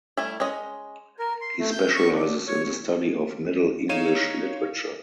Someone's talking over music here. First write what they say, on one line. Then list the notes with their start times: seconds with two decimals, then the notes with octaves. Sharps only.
He specializes in the study of Middle English literature.
0.17 G3 A3 E4
0.40 G#3 C#4 D#5
1.19 A#4
1.41 C6
1.59 A3
1.72 G6
1.96 C#6
2.14 D4
2.47 C#5
3.89 D#4 C#5 F5 D#7 E7